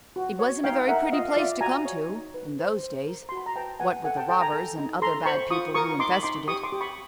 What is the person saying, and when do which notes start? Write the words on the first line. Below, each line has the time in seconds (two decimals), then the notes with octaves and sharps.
It wasn't a very pretty place to come to in those days, what with the robbers and other bad people who infested it.
0.16 F#4
0.39 C#5
0.64 D#4 F5 G5
0.88 A#4 E5 F#5
1.12 F4 D#5 F5
1.29 F5
1.36 F4 D5 E5
1.61 F#4 G#5 A#5
1.85 C#5
2.09 D#4
2.34 B4
2.59 C5
2.83 C5
3.07 A#4
3.29 F#4 C6
3.37 B5
3.46 A#5
3.56 B4 G5 A5
3.80 B4 F#5 G#5
4.04 A4 F#5 G#5
4.16 G5 A5
4.29 A4 G5 A5
4.41 G#5 A#5
4.53 A4
4.78 D#4
5.02 A4 A#5 C6
5.26 C5 B5 C#6
5.51 F4 C#6 D#6
5.75 A#4 C#6 D#6
5.99 D#4 C6 D6
6.11 B5 C#6
6.23 D#4 C6 D6
6.48 G4 C#6 D#6
6.64 C6 D6
6.72 G4
6.81 B5 C#6